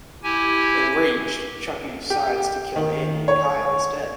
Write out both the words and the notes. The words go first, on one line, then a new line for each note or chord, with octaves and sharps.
Enraged, Chucky decides to kill Andy and Kyle instead.
E4 G4 G#5
G4
D#3
C#5